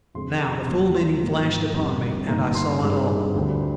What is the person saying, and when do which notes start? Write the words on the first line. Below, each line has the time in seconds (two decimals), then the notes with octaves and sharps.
Now the full meaning flashed upon me, and I saw it all.
0.14 F2 D3 G#3 C4 C6
0.42 A#5
0.68 D#2 D#3 G3 A#3 C6
0.95 C6
1.22 G#1 G#2 F3 A#3
1.75 F2 D3 G3 C4
2.28 G1 G2 D#3 A#3 A#5
2.55 C6
2.82 G2 D#3 G#3 C4
3.35 D2 D3 G3